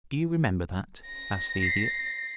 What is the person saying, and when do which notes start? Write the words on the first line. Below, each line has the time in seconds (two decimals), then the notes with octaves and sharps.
"Do you remember that?" asked the Idiot.
1.05 A#6
1.62 B6 C7